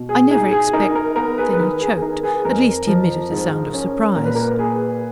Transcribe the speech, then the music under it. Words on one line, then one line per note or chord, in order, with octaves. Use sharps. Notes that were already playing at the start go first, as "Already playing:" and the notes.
"I never expec--" Then he choked; at least, he emitted a sound of surprise.
Already playing: B2
G#4
D#4 G#4
G#4
D#4 A#4
A#4
B3 A#4
G#4 B4
B4
D#3 A#4
G#4
A#4
G#4
D#4 A#4
G#4 B4
B4
F2 A#4
F3
G#2
C#4
A#2 A#4
B4
A#4
A#3 G#4 B4